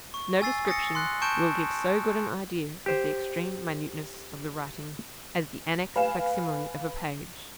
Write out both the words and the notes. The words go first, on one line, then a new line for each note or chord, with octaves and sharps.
No description will give so good an idea of the extreme minuteness of the writing as the annexed facsimile of a page.
C#6
G#5 E6 A6 C7
D#6 A6 A#6 C#7
C6 F#6
A5 C#6 G6 D7 E7
G4 C5
B4 F5 G#5 E7